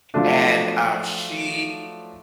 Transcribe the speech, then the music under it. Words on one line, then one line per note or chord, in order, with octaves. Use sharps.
and, um, she
F3 F#3 A3 D4